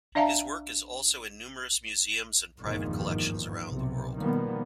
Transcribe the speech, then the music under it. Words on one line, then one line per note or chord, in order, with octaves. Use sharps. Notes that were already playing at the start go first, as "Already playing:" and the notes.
His work is also in numerous museums and private collections around the world.
D4 D5 E5 F5 A5 A#5
G#1 E2 G2 A#2 D#3 F3
B1 C3
B2 D#3 F3 G3 A#3 B3